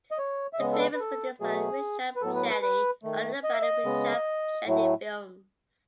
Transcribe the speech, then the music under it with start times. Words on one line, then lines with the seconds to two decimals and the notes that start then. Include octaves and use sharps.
The film is produced by Rishab Shetty under the banner Rishab Shetty Films.
0.11 D#5
0.18 C#5
0.53 E5
0.59 C#3 G#3 B3 D#5
0.73 A4
0.79 B4
0.94 B4
1.00 A4
1.40 B2 F#3 A3 G#4
2.16 B4
2.22 A2 F#3 B3 A4
2.35 B4
2.49 B4
2.62 B4
3.03 D#3 A3
3.44 D#5
3.53 E5
3.62 D#5
3.85 C#3 G#3 B3
4.66 A2 F#3 A3